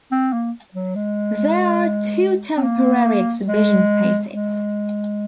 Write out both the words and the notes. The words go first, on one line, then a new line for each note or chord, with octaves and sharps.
There are two temporary exhibition spaces.
C4
A#3
F#3
G#3
C4
A#3
G#3
G#3